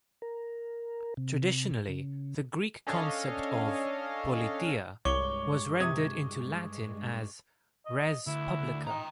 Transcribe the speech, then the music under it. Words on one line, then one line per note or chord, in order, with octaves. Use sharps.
Traditionally, the Greek concept of "politeia" was rendered into Latin as res publica.
A#4
C3
C#3
C#4 D4 A4 C#5 D#5 F5
C2 G2 G#3 C#5 C#6 D6 G7
C3 D#6 G#6
D#5
D2 E4
D#4 G5 A#5